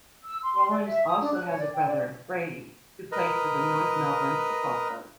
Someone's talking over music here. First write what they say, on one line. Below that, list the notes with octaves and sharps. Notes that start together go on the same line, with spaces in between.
Rawlings also has a brother, Brady, who played for the North Melbourne Football Club.
E6
C6
C6
D5
E5
D#6
D4
F#6
C#5
D5
G5
D5
A#4 B4 D#5